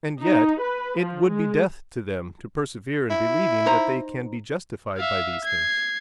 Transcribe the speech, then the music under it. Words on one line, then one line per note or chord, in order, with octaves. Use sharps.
And yet it would be death to them to persevere in believing that they can be justified by these things.
D#4
B4
F3
G#3
E4
D#4 C5 A#5
E5 F5
G#6 C7